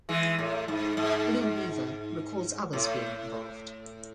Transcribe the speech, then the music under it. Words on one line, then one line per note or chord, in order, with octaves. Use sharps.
Blue Weaver recalls others being involved.
E3 G#3
A2
G#2
G#2
A2